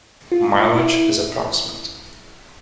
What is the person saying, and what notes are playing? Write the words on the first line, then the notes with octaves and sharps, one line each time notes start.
Mileage is approximate.
F4
E4